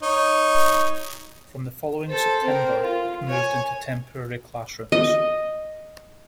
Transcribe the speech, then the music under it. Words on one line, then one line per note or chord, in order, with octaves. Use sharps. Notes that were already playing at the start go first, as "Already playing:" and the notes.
From the following September, it moved into temporary class rooms.
D#4 C#5
A4 C5
C4 A#4
F4
C#5 G#5
D#5